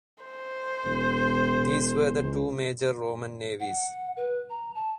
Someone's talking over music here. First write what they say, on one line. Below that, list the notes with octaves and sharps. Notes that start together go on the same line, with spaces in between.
These were the two major Roman navies.
C5
E1
C#2
F#5
B4
A#5
A5